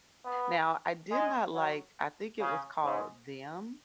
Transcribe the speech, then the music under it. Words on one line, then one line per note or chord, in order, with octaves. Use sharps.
Now, I did not like, I think it was called Them?
B3
G#3
F#3
C#3
G#2